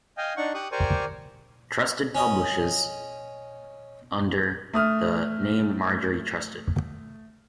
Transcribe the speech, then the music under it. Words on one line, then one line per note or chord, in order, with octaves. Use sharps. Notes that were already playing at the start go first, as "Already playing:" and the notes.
Trusted publishes under the name Marjorie Trusted.
D#5 F5 G5 G#5
D4 D#4 F#5 C#6
G4 C#6 D#6 F#6
G4 A#4 C5 D5 G#5 C#6
C#4 D#5
A3 D#6 F6